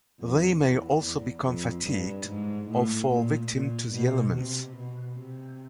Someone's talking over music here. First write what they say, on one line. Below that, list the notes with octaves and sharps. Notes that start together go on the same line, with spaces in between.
They may also become fatigued or fall victim to the elements.
F2
E2
E2
F2
G2
G#2
A2
A#2
A#2
B2
C3
B2
C3